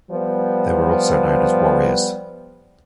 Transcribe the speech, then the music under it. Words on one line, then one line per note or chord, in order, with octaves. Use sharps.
They were also known as warriors.
F3 G3 B3